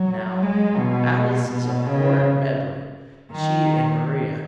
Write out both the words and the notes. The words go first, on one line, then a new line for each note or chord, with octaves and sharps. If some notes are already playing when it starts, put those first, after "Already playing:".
Now Alice is a horrid meddler--she and Maria.
Already playing: F#3
G#3
B2
B2
C#3
D#3